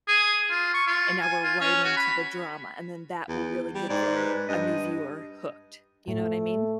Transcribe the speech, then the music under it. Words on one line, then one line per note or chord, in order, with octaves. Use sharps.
and now we're right into the drama, and then that will really get them, a new viewer, hooked. You know what I mean?
G#4
F4
C#6
F4
G#5
F4
C#4
F#4
B5
E2
G3
G#2 D5
B4
G2 D#5
A2 A3